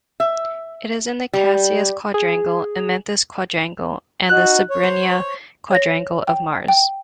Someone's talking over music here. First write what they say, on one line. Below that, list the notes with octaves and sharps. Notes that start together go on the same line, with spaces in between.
It is in the Casius quadrangle, Amenthes quadrangle, and the Cebrenia quadrangle of Mars.
E5
G3
G#4
D#4 F#4 F#6
C#5
C5
C#5 A#6
G5
G5